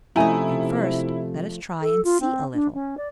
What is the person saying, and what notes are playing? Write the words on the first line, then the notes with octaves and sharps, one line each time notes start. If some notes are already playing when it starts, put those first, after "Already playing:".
And first let us try and see a little.
C3 F3 A3 C#4 E4 D#5 G#5 A#5
A4
F4
C4
D4
C#4
D5